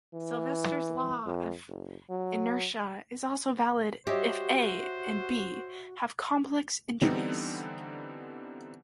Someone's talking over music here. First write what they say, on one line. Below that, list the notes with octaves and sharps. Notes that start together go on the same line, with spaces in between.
Sylvester's law of inertia is also valid if "A" and "B" have complex entries.
E3
F2
F#1
F#3
F#4 G4 C5 C#5 D#5 E5
D3 E3 G3 B3 C4 D#4